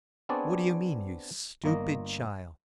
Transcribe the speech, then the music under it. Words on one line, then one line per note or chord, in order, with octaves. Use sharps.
What do you mean, you stupid child?
B3 C4 D4 G#4 C#5 D5
G1 A#3 D#5